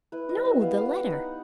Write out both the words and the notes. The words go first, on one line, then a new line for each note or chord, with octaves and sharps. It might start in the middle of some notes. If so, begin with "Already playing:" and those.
"No; the letter."
E4 B4
D#5
G3
E5
B3 F5
F5
G3
F#5
D#4